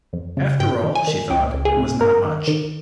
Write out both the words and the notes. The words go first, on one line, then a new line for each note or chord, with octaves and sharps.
After all, she thought, it was not much.
F2
C#3
G2 G5
D#3
G#5
D#3
C#2 G5
C#2
G#4
C3
G2 A#4
D#3
D#3